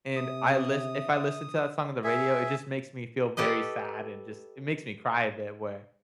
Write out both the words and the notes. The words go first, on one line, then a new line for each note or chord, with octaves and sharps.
and I list if I listen to that song on the radio, it just makes me feel very sad and just it makes me cry a bit where
C3 E5 D#6
G#4 E5
G4 A4 B4 D#5